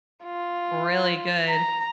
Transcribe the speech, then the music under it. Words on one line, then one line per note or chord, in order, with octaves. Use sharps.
really good.
F4
A#5